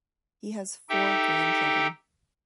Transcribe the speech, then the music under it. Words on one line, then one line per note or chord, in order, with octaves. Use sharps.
He has four grandchildren.
D#4 G4 A4 E5 G5